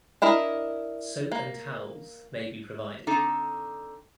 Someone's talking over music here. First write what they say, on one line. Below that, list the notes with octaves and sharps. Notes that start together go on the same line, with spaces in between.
Soap and towels may be provided.
D4 E4 A#4 D#5
A#3
D3 C4 D#4 A4